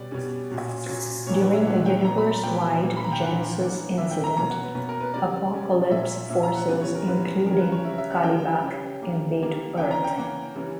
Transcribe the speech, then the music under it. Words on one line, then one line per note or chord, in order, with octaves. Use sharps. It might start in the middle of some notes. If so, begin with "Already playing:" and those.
During the universe-wide "Genesis" incident, Apokolips forces, including Kalibak, invade Earth.
Already playing: B2 G3 C#4 D5
B2 G3 C#4
A#2 F#3 C#4
A#2 F#3 C#4
A#2 A#3 D4 C#5
B4
E5
A#2 A#3 D4 F#5
G5
A#2 F#3 B3 A#5
B5
A#5
A#2 F#3 B3 G5
A#2 A#3 D4
B5
A#5
G5
A#2 A#3 D4 F#5
E3 A#3 D4
E3 A#3 D4 E5
G5
A#5
B2 A#3 C#4 A#5
F#5
B4
B2 A#3 C#4 B4
A#4
B4
C#3 G3 C#4 D5
C#3 G3 C#4
A#2 A#3 C#4 E5
A#2 A#3 C#4 E5
A#5
F#5
C#3 E3 G3 B3 B4
C#5
A#4
C#3 E3 G3 B3 B4
C#3 G3 C#4 A#4
B4
C#5
C#3 G3 C#4 E5
E5
F#5
C#3 G3 C#4 G5
C#3 G3 C#4
D3 G3 A#3
D3 G3 A#3
C#3 E3 A#3 C#4 G5
A#5
G5
C#3 E3 A#3 C#4 F#5
C#3 E3 G3 C#4